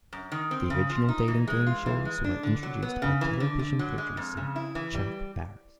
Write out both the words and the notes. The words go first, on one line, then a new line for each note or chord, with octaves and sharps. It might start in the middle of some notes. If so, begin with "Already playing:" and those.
The original dating game shows were introduced by television producer Chuck Barris.
F#2
D#3
C4
C#3
F3
D#4
E3
G#3
F4
E3
G#3
D4
D3
F#3
B3
C#3
E3
D3
D3
F#3
G#3
F2
C#3
E4
E3
G3